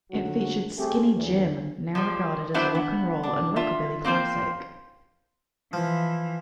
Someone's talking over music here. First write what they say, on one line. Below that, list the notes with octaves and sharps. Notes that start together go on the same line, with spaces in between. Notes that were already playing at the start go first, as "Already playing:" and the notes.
It featured "Skinny Jim", now regarded as a rock-and-roll and rockabilly classic.
F2 D3 F#3 F#4
A3 C4 G4 G#4
E2 D3 E3 F#3
F3 G3
F#3 B3 D4 E4 C5 E5
B3
D4
F4 E5
A#3 C4 F4 C5
E3 F3